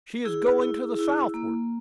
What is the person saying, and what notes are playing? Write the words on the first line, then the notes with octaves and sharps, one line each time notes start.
"She is going to the southward."
E4 G#4
E4
E4
A#3